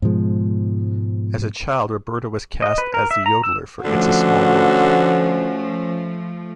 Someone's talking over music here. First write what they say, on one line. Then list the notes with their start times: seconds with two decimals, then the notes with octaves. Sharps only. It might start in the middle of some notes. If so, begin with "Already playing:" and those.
As a child Roberta was cast as the Yodeler for "It's a Small World".
0.02 G#2 B2 F3 G#3
2.62 D#5
2.78 B4
2.94 A#4
3.11 E5
3.26 A#5
3.43 E6
3.85 D3 F3 A3 C#4 F#4 C5